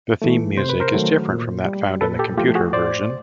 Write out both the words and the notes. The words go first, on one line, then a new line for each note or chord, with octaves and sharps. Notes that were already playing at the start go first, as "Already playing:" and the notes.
The theme music is different from that found in the computer version.
E3 A3
C3 C5
B4
A#4 C5
D#3 F#3 A3
A#2
G3
A#2 A4 B4
G4 A4
F3 A3 F4 G4
F#4 G#4
A2 C5 D5